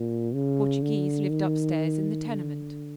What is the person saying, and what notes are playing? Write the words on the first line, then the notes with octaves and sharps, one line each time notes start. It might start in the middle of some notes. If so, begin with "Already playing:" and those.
Portoghese lived upstairs in the tenement.
Already playing: A#2
C#3
D3
D#3
D3